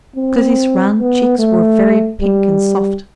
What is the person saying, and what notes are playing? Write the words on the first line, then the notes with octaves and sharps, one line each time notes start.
Clytie's round cheeks were very pink and soft.
C4
B3
A3
G3